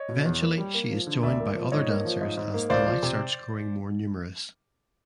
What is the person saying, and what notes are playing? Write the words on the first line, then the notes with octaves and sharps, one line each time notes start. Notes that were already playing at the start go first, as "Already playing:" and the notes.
Eventually she is joined by other dancers as the light starts growing more numerous.
Already playing: C#5 D#5
B2
E2
A#3
G3
A#3
F3
D3
D2 D5 E5
A#3
F3
G#2 C#5 D#5
A#3
F3
G#2
G#2
A#3
C#2 C5 D5
F3
C3